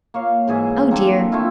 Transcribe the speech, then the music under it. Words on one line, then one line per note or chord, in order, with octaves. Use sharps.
Oh dear!
A#3 C#5 F5
G#2 E3 G#4 E5
A#3 C4 D4 A4
A3 C4 E4 F4